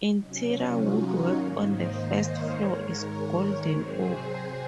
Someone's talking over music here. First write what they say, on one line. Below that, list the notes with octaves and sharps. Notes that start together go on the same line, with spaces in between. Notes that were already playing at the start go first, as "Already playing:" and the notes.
Interior woodwork on the first floor is golden oak.
C3 F#3 C#4 D#4
C#4 F4
D#4 F#4
A#4 C#5
G#2 D#3 A#3 C#5 F5
C5 D#5
C5 D#5
C#5 F5
G#2 D#3 G#3 A#4 C#5
A#4 C#5
C3 F#3 C4 G#4 C5